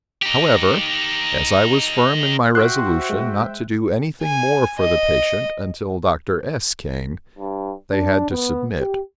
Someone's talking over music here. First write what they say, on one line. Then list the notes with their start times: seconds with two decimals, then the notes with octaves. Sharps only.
However, as I was firm in my resolution not to do any thing more for the patient until Dr. S-- came, they had to submit.
0.22 D#4 G4
2.55 F#4 C5 E5 G5 C6 F#6
3.10 G#3
4.22 G#5
4.79 D#5
7.39 G2
7.91 D4
8.31 B3
8.79 G4